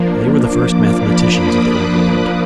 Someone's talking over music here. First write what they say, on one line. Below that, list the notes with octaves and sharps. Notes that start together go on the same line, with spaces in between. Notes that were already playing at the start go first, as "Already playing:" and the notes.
They were the first mathematicians of the Old World.
Already playing: F3 A#3 D4
D6
D6
B5
D#6
F#6
F#6